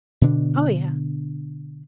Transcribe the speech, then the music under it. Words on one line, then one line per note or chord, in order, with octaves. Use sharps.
Oh, yeah.
B2 D3 D4